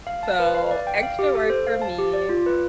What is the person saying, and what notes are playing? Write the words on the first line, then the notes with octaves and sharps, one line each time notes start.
So, extra work for me,
F5
A5
B4
F5
D5
G5
F5
G4
A4
C5
F5
A5
G4
D5
F4
B4